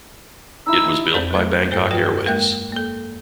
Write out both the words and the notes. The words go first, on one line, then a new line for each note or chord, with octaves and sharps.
It was built by Bangkok Airways.
D#4 E4 E6
F2 C4 G#4 C5 D5 G6
F#3 A3
G2 A4 C5
F3 F4 F#4 B4 G5 A#6
G#3 A#3 A#4 E5 G5 F#6
A#3 A4